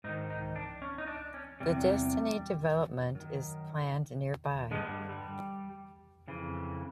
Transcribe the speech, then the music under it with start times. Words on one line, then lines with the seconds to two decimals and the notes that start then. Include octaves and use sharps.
The Destiny development is planned nearby.
0.04 G#2 D#4
0.09 D#3
0.30 D#4
0.56 D4
0.82 C#4
0.98 D#4
1.07 D4
1.34 C#4
1.60 E2 C3 G3
3.15 F#2 D#3
4.71 G2 D3 G#3
4.84 G3
5.09 G3
6.27 F2 C#3 E3